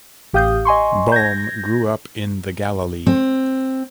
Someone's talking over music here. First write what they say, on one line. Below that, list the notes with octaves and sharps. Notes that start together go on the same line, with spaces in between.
Boehm grew up in the Galilee.
A1 G4 F5 D#6 G6
D#5 G#5 C6 C#6
G6 G#6 A#6
C4